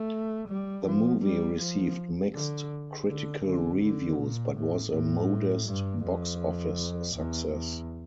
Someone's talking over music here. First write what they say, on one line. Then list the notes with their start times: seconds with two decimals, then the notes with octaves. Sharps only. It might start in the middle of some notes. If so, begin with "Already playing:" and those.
The movie received mixed critical reviews, but was a modest box office success.
Already playing: A3
0.49 G3
0.85 F3
1.23 G3
1.60 F3
2.34 D3
3.08 D3
3.45 D3
3.82 D3
4.18 A#2
4.55 A2
4.93 A2
5.66 G2
6.03 F2
7.15 E2
7.51 E2